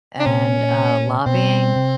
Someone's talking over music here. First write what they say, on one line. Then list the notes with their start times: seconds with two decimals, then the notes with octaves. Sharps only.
and, uh, lobbying.
0.20 D4
0.26 A#2 C#4
1.26 B2 C4
1.76 C3